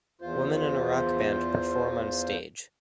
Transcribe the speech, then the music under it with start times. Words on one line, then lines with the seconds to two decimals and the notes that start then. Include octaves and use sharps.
Women in a rock band perform on stage.
0.21 E2 F4 C5